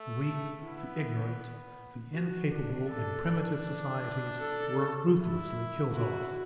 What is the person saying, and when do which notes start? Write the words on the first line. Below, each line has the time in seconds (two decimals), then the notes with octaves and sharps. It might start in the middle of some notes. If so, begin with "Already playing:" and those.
The weak, the ignorant, the incapable in primitive societies were ruthlessly killed off.
Already playing: A3
0.61 B3 E4
2.13 F#4
2.51 D4
2.89 D4 A4
4.40 A4
5.17 E4
5.93 E4 F#4